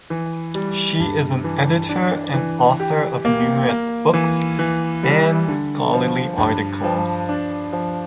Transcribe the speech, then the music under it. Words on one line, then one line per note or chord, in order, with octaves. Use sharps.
She is an editor and author of numerous books and scholarly articles.
E3
G3
G2
E3
D4
E3
G4
A#3
A#3
E3
E3
G3
D3
F3
G2
F3
D4
F3